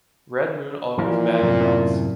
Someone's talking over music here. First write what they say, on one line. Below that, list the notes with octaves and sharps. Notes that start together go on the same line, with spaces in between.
Red moon augurs bad crops.
A#2 E3 F3 A#3
F#2 A2 C3